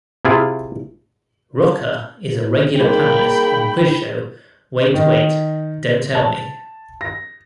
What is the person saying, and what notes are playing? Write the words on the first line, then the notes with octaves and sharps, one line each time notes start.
Rocca is a regular panelist on quiz show Wait Wait... Don't Tell Me!
C3 E4 F4 G#4
G3 A#3 D#4 G#4 G5 B5
D#3
A5
A#6